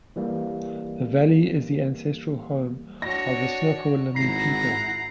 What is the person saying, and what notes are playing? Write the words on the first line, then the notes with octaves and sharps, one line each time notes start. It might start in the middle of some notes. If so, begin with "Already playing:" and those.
The valley is the ancestral home of the Snoqualmie people.
E3 G3 A#3
D4 F#4 C#5 A#6
G#1 E4 F#5 A#5 C7